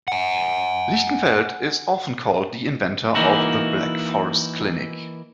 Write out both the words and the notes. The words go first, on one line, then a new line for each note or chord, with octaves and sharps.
Lichtenfeld is often called the inventor of "The Black Forest Clinic".
F#5 G#5
E3 A#3 D#4 E4 F#4